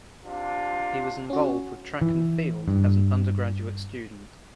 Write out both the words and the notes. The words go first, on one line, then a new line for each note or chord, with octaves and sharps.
He was involved with track and field as an undergraduate student.
C3 D4 F4
C#4 F#4
E3
G2